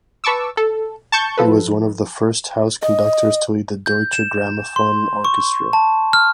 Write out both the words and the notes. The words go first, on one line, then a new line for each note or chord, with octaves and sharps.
He was one of the first house conductors to lead the Deutsche Grammophon Orchestra.
B4 A5 C#6 D6 E6
A4
A5 C#6 G6
F3 A4 B4
D#5
G6
E7
C6
C#6
A5
F6